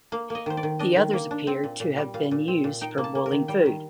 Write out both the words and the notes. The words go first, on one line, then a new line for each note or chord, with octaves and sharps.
The others appear to have been used for boiling food.
A#3 F5
A#3 D#5
D#3 C5
D5
D#3
D4 D#5
D#3
A#3
D4
C4
A#2
A#2
G3
A#2 F5
A#2
C4
A#2
D#4 G5
A#3
A5
A#3
A#4
D#3
G3 G5
D#3